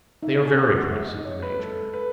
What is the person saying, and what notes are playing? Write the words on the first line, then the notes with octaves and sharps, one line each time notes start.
"They are very pretty," said the major.
D#4 E5
G#4
F#5
G#3
G#3 E5
D#5
D#4
C#5
G#4
B4
G#3 A4
G#3
B4